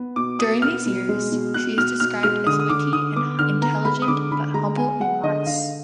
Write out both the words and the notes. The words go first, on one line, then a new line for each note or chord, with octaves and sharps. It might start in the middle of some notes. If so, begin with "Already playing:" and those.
During these years she is described as witty and intelligent but humble and modest.
Already playing: B3
B2 D6
B2 D#6
B3 F6
B2
G#3
B2
B2 F#6
B2 F6
B2 F6
G#3 F6
D3 D#6
D#6
D3 D6
D3 D#6
B3 D6
D3 F6
B3 A#5
G#3 B5
D#6
D3 D6
D3 B5
G#3 A#5
B3 G#5
G#3 F#5
D3 D#5
D3 F5